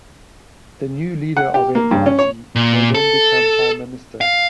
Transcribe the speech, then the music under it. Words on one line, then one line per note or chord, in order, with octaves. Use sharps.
The new leader of a party may then become prime minister.
F#5
G4
A#3
G2
C#4
C#5
A#2
A4
F5